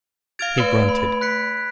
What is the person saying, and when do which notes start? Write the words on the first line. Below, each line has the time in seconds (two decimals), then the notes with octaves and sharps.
He grunted.
0.39 F5 F6 G#6 A6 D7 F7
0.58 A3 B4
0.89 B5
1.21 F#6 B6 C#7